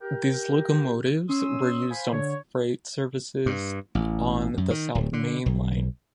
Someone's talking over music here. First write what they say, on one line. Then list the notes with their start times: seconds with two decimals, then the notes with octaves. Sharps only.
These locomotives were used on freight services on the South Main Line.
0.01 G4 A#4 G5
1.29 C#4 C6 D#6 E6
1.90 C5 F5 G#5 B5
2.12 D3 C#5
3.46 G2
3.95 A1
4.57 F#2
4.70 D#3
4.95 D1
5.13 D3
5.46 B1